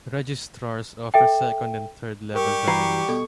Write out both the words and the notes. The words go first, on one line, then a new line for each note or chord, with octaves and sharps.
Registrars offer second and third level domains.
A4 E5 G5
G3 G4 A#4 C#6
E3 F#4 B4 A#5 C7
B2 A4